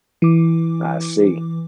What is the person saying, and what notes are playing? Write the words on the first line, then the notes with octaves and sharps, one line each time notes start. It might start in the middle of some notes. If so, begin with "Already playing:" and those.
I see.
E3 D6